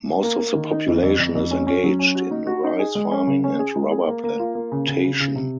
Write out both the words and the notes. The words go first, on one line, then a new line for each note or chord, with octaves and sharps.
Most of the population is engaged in rice farming and rubber plantation.
A#3
A#3
D#3
D#4
F2
F2
F2
F2
C#4
C#4
F#3
C#4
F#4
D#4
F#4
D#4
G#4
G#3
C#4
C#3
C#4
G#4
G#3
G#4
A#3
A#3
F4
A#3
C#3
C#3
C#3
C#3
C3